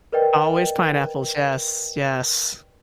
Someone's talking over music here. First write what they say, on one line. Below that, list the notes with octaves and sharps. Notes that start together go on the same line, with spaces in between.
Always pineapples, yes, yes.
A#4 B4 D5 D#5 G5